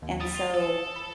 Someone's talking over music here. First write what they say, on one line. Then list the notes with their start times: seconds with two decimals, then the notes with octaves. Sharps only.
and so
0.02 D#2
0.21 G3 D#6 A6
0.35 F4
0.55 A4
0.96 B5